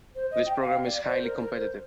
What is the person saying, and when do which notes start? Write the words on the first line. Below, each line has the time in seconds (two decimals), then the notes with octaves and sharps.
This program is highly competitive.
0.15 C5
0.31 D#5
0.46 G5
0.61 F5
0.84 D5
1.08 C5
1.23 A#4
1.39 A#4
1.54 C5